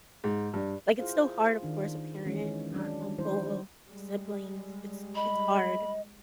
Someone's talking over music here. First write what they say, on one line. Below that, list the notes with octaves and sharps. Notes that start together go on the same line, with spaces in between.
like, it's still hard, of course, a parent, or an uncle, siblings, it's it's hard-
G#2
G2
E4 F4 G#4 C5 F5
D#3 D4
D#3 E3 G#3 C#4
F#3 C#4 D4
D#3 F3 G3 E4 C5
G3 G#3
D#5 B5